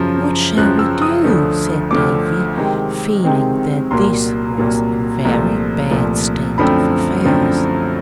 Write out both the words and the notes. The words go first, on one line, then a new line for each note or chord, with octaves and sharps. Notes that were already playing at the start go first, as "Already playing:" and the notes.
"What shall we do?" said Davy, feeling that this was a very bad state of affairs.
Already playing: F#2 C#3 F3
F#2 C#3 F3 F#6
E6
D#6
D2 D3 F3 A3
D2 D3 F3 A3 D6
C3 D#3 G#3 C4
C3 D#3 G#3 C4
C2 A#2 F#3 A#3 C6
C2 A#2 F#3 A#3
C2 A#2 F3 A3
C2 A#2 F3 A3
F#2 D3 F3 A3 C4 B5
F#2 D3 F3 A3 C4